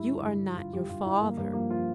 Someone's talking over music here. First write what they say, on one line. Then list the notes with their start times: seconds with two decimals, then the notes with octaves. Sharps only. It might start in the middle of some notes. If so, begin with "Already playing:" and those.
'You are not your father.'
Already playing: G2 E4
0.09 D3
0.24 G2
0.41 D3
0.57 G2 F4
0.73 G2 G4
0.89 G2 F4
1.05 G2 E4
1.21 G2 A#3
1.37 G2 A#3
1.53 F3 A#3
1.70 F3 F4